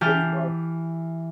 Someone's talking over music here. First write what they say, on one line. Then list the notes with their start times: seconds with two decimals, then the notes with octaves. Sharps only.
Pretty much
0.01 E3 G4 F5 A5 F6 G6